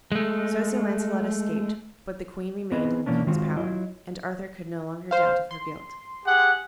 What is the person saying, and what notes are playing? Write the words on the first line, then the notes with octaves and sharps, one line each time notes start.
So Sir Launcelot escaped, but the queen remained in the king's power, and Arthur could no longer doubt of her guilt.
G#3 A3
B3 C4 G#4 B4 D#5
B2 E3 A#3 C#4 D4
D#3 G#3 C4 F4 F#4
F#3 E4 F4 D#5
C5 F5
C6
G4 G#4 F#5